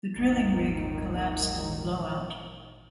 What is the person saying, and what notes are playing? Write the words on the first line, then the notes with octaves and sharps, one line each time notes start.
The drilling rig collapsed in the blowout.
G#1 D#2 A#2 D#3